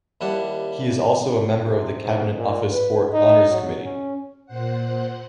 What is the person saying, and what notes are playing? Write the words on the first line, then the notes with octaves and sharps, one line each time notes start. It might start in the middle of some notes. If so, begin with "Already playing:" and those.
He is also a member of the Cabinet Office Sport Honours Committee.
D#2 G3 E4 F#5 A5
C3
G#2
A#2
B4
D#4
F#3
C#4
A#2 C5 F#5